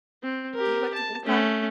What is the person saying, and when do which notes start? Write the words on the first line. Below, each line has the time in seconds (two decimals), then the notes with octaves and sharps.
Do you like to FaceTime?
0.23 C4
0.54 G4 A#4
0.94 A5
1.25 A3 C#4